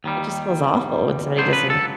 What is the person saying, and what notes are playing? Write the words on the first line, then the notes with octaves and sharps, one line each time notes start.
it just feels awful when somebody doesn't
D#2 D#3 G3
C#2 C#3 F#3 B3 D4 C5
B4
A4